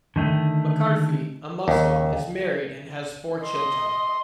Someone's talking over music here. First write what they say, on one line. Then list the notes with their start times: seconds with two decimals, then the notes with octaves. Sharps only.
Makarfi, a Muslim, is married and has four children.
0.16 D3 D#3 A3
1.68 D#2
3.43 D#5 C6